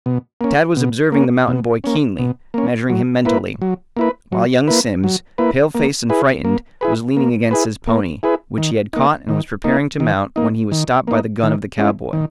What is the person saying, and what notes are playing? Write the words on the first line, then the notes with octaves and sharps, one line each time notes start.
Tad was observing the mountain boy keenly, measuring him mentally, while young Simms, pale-faced and frightened, was leaning against his pony, which he had caught and was preparing to mount when he was stopped by the gun of the cowboy.
B2
A#3 C#4
B2
A#3 C#4
B2
A#3 C#4
B2
A#3 C#4
F#3
A#3 E4 B4
F#3
A#3 E4 B4
F#3
A#3 E4 B4
F#3
A#3 E4 B4
A#3
E4 G#4 B4
A#3
E4 G#4 B4
A#3
E4 G#4 B4
A#3
E4 G#4 B4
D#3
A#3 D#4
D#3
A#3 D#4
D#3
A#3 D#4
D#3
A#3 D#4
D#3
G#3 C#4 E4
D#3